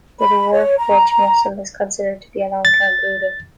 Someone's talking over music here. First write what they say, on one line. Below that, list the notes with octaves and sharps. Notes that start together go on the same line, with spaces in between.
The dwarf wedgemussel is considered to be a long-term brooder.
B5
C#5
A#5
A6